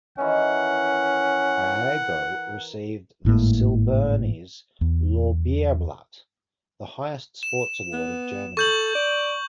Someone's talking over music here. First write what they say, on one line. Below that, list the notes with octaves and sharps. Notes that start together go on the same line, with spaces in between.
Aogo received the Silbernes Lorbeerblatt; the highest sports award of Germany.
D#3 E3 C#4 F#5
G#1 A2 G#3 A#3
E2
E7
B3
A4 C#6 G6 F#7
D5